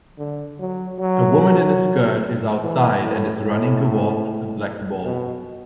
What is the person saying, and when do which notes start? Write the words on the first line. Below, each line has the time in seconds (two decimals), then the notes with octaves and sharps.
A woman in a skirt is outside and is running toward a black ball.
0.18 D3
0.59 F#3
1.00 F#3
2.62 E3
3.02 A2
3.43 A2
5.05 B2